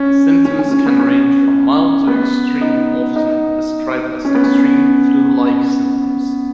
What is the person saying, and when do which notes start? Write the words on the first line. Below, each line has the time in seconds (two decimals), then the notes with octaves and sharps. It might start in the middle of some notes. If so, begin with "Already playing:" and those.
Symptoms can range from mild to extreme-often described as extreme flu-like symptoms.
Already playing: C#4
0.45 C#4
0.59 C#4
0.71 C#4
0.86 B3
1.00 C#4
2.07 B3
2.61 D#4
3.16 D#4
4.25 C#4
4.35 B3
4.44 C#4